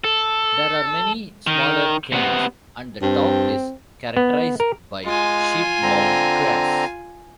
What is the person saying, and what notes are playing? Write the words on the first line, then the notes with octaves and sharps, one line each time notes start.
There are many smaller cairns and the top is characterised by sheep-mown grass.
A4
D#3
C3 B3
G2 C4
B3
A#4
G#3 F4 G#5
D3 C4 A#5